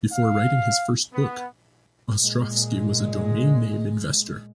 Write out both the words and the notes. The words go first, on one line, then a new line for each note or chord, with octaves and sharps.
Before writing his first book, Ostrofsky was a domain name investor.
F5
B3
A#2 G#3